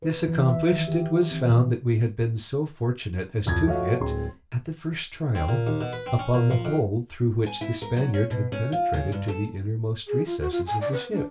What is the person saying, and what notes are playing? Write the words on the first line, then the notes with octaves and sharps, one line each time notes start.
This accomplished, it was found that we had been so fortunate as to hit, at the first trial, upon the hole through which the Spaniard had penetrated to the innermost recesses of the ship.
B4
E3
E5
D#3
G4
C4
A#2
D1 F2 G#6
F3 A3 F#4 C#5 D#5 F5
D1 G#3 C4 C6
C4
A#2
D#2
B2
B4
C4
C#4
A#2
F3
F2
G#5
E4
A#4
F#3
C#4
B2
C#4
F4
C#3
G2
A4
G#4
F4
F#4
F4
G#5
D5
B4
D4